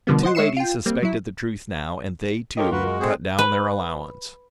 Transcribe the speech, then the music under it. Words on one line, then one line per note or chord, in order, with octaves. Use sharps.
The two ladies suspected the truth now and they, too, cut down their allowance.
B2 D3 F3 G3 A#3 B3
C5 D#5 F#5 C6
G#3 C#5 E5 C7 C#7 E7
F4 G5
G3 A#3 C4
F#3 E4
F4 G4 A4 A#4 C#5 D#5
F#2 F#4 B4
G#3
G#3 C4 G#4 A4 C5
B4